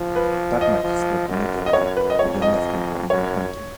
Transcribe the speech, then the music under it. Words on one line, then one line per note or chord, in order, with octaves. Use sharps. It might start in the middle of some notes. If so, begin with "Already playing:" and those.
That night he slept near their lair, but they left him and went hunting.
Already playing: F3
B4
D#5
F3
F#2
D#5
F#2 C#5
B4
D#5
F2 C#5
D#5
F#2 C#5